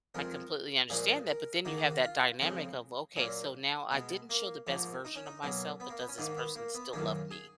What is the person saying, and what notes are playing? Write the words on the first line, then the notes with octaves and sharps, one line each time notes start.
I completely understand that, but then you have that dynamic of, "Okay, so now I didn't show the best version of myself, but does this person still love me?"
F2 F3 G#3 A#4
A#2 F3 G#3 G#4
A#4
G#2 D#3 A#3 A#4
G#4
F#4
F4
F2 C#3 G#3
A#2 F#3 A#3 C#4
B2 G#3
A#3
G#2 F3 A#3
D#4
C#4
D#4
B2 F#3 A#3 C#4
B3
A#3
B3
C#4
G#2 D#3 A#3 D#4
B3
A#3
B3
F#2 D#3 A#3 C#4
G#4